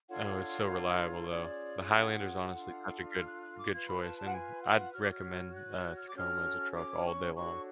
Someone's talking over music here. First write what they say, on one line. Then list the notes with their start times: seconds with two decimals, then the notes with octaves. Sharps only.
Oh, it's so reliable, though. The Highlander's honestly such a good good choice, and I'd recommend, uh, Tacoma as a truck all day long
0.08 D4 F4 A4 C#5 F#5
0.68 F#5
1.29 C#4 F4 G#4 C#5 D5
1.90 F#5
2.50 D4 F4 A4
3.10 F6
3.26 F#6
3.41 F#6
3.56 D6
3.72 F4 B4 G#6
3.86 B5
4.02 A5
4.17 A5
4.25 F#5
4.32 G#5
4.62 F#5
4.92 F#4 C#5 F6
5.01 D6
5.09 F6
5.53 F#6
5.83 F#6
5.95 F6
6.07 D6
6.14 C#4 F#4 A4 C#5 F6
6.74 D6
7.05 C#6
7.34 D4 F#4 A4 C#5 C#6